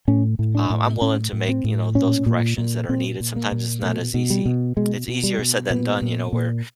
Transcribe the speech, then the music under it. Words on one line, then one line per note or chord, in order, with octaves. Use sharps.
um, I'm willing to make, you know, those corrections that are needed sometimes it's not as easy. It's easier said than done, you know, where,
A2 C#4
A2
D4
A2
A2 C#4
A2
C4
A2
A#2 C#4
A#2
A#2
A#2 C4
A#2
A#3
A#2
B2 A3
B2
G3
B2
B2 G#3
B2
G3
B2
A#2 B3
A#2
A#2